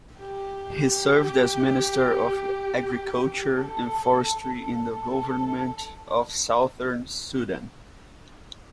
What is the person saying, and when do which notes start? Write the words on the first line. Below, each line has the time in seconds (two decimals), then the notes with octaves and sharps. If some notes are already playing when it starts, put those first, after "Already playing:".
He served as Minister of Agriculture and forestry in the Government of Southern Sudan.
0.18 G4
3.54 A4
4.38 A4